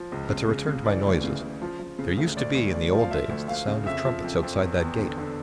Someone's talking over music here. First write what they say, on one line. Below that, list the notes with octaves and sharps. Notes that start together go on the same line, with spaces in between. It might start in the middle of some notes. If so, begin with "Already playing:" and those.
But to return to my noises; there used to be in the old days the sound of trumpets outside that gate.
Already playing: F3
C#2
C#3
C#3
C#3
E3 D5
D2
C#3
C#3
F3
F3
C#3
D2
D2 D5
D2
D2 D5
F3
F5
F3 E5
D2
D2 F5
C#3
F2 E5
F3
F2
F2
E2
E2
D3
D3